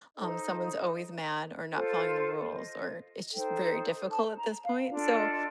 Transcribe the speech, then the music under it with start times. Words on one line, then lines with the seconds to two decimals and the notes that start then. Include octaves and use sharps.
um, someone's always mad or not following the rules, or it's just very difficult at this point, so,
0.15 D#4 A4 C5 D#5
1.73 F4 A4 C5
2.52 D#5
3.31 D#4 A4 C5 G5
4.09 A5
4.36 A#5
4.63 F5
4.89 D4 F4 A4 D5
5.15 D#5